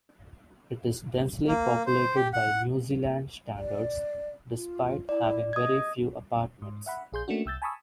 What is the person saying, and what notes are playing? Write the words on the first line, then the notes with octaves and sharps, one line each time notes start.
It is densely populated by New Zealand standards, despite having very few apartments.
A#3
C5
G4
F#5
D5
F4
E4 D5
D#5 D#6 G#6
G#2
E5 F#5 B5
A#1 G#4 C6 G6
A3 A#3 C#4 D4 F#4
C2 E6 G6 A6
G#5 A5 B5 C#6 D#6 E6